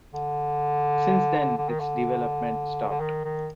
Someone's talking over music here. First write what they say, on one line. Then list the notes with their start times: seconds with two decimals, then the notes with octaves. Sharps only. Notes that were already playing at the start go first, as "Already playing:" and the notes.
Since then, its development stopped.
0.14 D3
1.57 D3
1.69 D#3
1.80 D3
2.89 D3
3.00 D#3
3.24 D#3